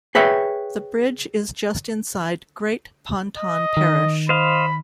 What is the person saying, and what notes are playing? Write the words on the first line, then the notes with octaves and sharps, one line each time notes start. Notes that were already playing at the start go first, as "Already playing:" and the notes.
The bridge is just inside Great Ponton parish.
G#4 B4 C#5 E5 G5
D#5
D#3
C5 D#5 F5 B5